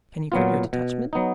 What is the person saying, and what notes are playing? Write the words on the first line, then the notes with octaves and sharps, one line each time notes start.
"Can you quit your detachment?"
A#2 F#3 B3 F4
B2
F#3 B3 D#4